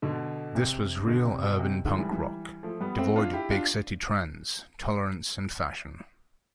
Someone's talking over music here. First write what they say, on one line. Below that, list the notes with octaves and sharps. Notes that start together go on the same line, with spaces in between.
This was real urban punk rock, devoid of big city trends, tolerance and fashion.
B2 D3
C3
B2 D3
C3
B2
C3
D3 F3
E3 G3
E3 G3
F3 A3
G3 B3
A3 C4
D4 F4
E4 G4
D4 F4